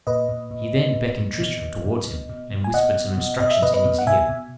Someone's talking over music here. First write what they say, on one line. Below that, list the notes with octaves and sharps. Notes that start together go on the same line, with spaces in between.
He then beckoned Tristram towards him, and whispered some instructions in his ear.
A#2 B4 D#5
A#2
A#2
A#2
A#2
A#2
B2
B2
B2
B2
B2
B2
G#5
B2 D#5 F#5
B2
B2
B2 D#5
E5
B2 B4 D#5
B4 D#5
B2
F#5
B2 E5 G#5
B2